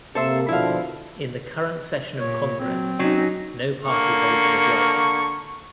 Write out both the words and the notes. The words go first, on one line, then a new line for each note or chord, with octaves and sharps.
In the current session of Congress, no party holds a majority.
C3 A#3 A4 C5 E5
B2 D3 F3 E4 F5
A#2 C#5
F#3 C4
F#3 C#4 D#4
D3 A#3 C#6